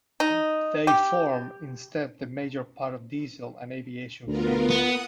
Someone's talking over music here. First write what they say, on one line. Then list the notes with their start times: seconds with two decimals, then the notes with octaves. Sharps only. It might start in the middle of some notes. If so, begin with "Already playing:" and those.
They form instead the major part of diesel and aviation fuel.
0.20 D#4
0.87 G4
4.27 D2 B3 F4 A#4
4.70 B3 F#5 D#6